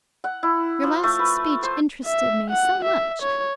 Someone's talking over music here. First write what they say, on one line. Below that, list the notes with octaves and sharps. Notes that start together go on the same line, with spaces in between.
Your last speech interested me so much.
F#5
E4
F3
A3
B4
C5
E5
F#5
E5
C#5